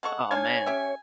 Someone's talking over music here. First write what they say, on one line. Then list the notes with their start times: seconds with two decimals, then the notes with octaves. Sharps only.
Oh, man,
0.03 G#3 A4 F#5 C#6
0.31 D4 C#5 F5 G#5
0.66 C#4 G4 E5